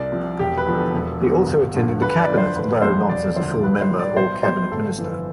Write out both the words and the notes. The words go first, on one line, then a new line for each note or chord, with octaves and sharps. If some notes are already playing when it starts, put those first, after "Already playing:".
He also attended the Cabinet, although not as a full member or Cabinet Minister.
Already playing: C2 D5
C3 F3
E1 G4
B4
E2 D3 F3
A4
E1
E2 D3
G1
G2 D3 F3
D2 B4
D5
D3 F3
C5
G1 B4
F2 D3 G3 C5
E1 D5
D2 D3 F3 C5
B1 B4
C5
A2 G3
D5
B1 C5
B2 G3 C5
G1 A4
F2 E3